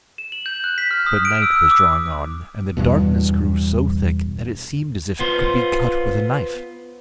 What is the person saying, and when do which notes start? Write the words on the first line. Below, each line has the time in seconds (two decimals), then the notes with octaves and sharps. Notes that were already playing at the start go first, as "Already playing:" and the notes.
But night was drawing on, and the darkness grew so thick that it seemed as if it could be cut with a knife.
0.18 E7
0.32 F#7
0.46 G6
0.64 F#6
0.78 B6
0.91 F6
1.06 D#6
1.25 D7
1.42 E6
1.56 E6
1.71 D6
2.77 E2 G2 B2
5.19 B3 F4 C5